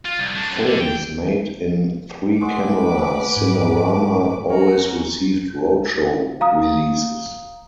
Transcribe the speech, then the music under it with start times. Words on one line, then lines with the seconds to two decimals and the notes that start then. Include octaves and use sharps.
Films made in three-camera Cinerama always received roadshow releases.
0.05 F4
0.19 C2
0.35 A2 D4
0.50 F#2
0.67 D3
0.80 G5
2.41 G#3 B4 F#5 C#6 D6
3.37 G#2
4.50 C#4 F#4 A#5
6.41 F5 A#5 D#6